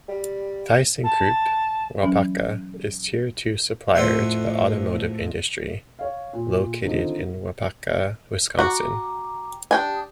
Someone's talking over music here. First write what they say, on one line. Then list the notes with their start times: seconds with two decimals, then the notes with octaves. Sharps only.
ThyssenKrupp Waupaca is tier two supplier to the automotive industry, located in Waupaca, Wisconsin.
0.09 G3
1.04 A5
2.03 E3 F#3 C#4
3.95 F2 A2 C5 E5 F#5 C6
5.99 C#5 F5
6.33 A#2
6.85 D3 D#3 F3 C4 D#4
8.59 F#4 G5 A#5 D6
9.71 D4 G4 G5 G#5 D#6